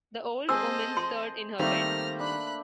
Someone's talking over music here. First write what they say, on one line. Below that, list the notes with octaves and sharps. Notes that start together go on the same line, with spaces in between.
The old woman stirred in her bed.
C4 G#4 A4 C5 D#5 G#5 E6
C6
D#3 G3 A3 A#3 C4 F6 A#6
D4 B5 F#6